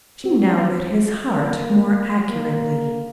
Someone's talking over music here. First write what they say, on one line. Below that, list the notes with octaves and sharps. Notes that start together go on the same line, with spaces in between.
She now read his heart more accurately.
C4
A#3
A#3